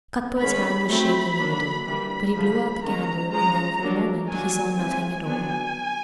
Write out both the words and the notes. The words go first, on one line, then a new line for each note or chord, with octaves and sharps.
Cuthbert's hand was shaking a little, but he blew out the candle, and then, for a moment, he saw nothing at all.
D#3 G#3 C#4 B5
F#3 A3 C4 B5
F#3 A#3 D4
E3 G3 A#3 D4 B5
D3 F3 A3
D#3 G#3 C#4 A#5
F3 G#3 C#4 A#5
F#3 A#3 D4
D#3 F#3 A#3 D4 G#5
E3 G#3 C4 G#5
F#3 B3 D4 G#5